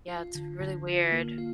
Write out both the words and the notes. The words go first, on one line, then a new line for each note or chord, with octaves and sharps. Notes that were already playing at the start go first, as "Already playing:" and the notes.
Yeah, it's really weird.
F4
D3
D3
F4
A#3
F4